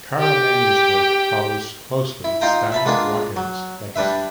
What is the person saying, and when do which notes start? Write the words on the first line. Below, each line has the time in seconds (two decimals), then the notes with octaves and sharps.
Caramani’s work follows closely Stein Rokkan’s legacy.
0.19 G4 G5
2.24 E4
2.41 D#4 F4 F5 G5 A#5
2.72 E5 A5 B5
2.85 G#3 A#3 B3 D4 F4 G#4
3.36 F#3
3.96 G3 D4 B4 E5